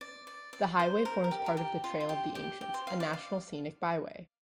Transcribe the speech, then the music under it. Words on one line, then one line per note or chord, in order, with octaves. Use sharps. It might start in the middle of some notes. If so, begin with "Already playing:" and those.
The highway forms part of the Trail of the Ancients, a National Scenic Byway.
D5
D5
D5
C5
A#4
A#4
G4
A#4
G4
F4
F4
G4
G4
G4
C5
F5
D5
F5